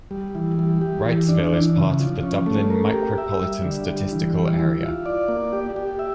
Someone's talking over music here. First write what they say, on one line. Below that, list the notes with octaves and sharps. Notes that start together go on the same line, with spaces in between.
Wrightsville is part of the Dublin Micropolitan Statistical Area.
G3
E3
G3
G4
E3
D4
E3
C#3
F3
C#4
A3
A#4
G4
E5
G3
D3
G3
E3
G3
E4
F4
D5
A#3
G4
G4
E5